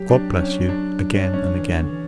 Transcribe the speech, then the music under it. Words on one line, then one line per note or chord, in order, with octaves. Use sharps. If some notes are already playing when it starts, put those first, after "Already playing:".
God bless you, again and again!
Already playing: F#3 G4
D4
C#4
D4
C#4
D4
C#4
F#3
E3
D3
E3